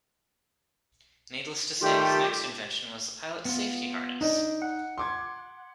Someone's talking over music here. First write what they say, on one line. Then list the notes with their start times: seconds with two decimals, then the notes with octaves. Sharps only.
Needless to say, his next invention was a pilot's safety harness!
1.81 D#3 G3 A3 F4 G4
3.45 B3 F4
4.21 D4 D#4 D5 D#5
4.62 F#5
4.98 C6 D6 G#6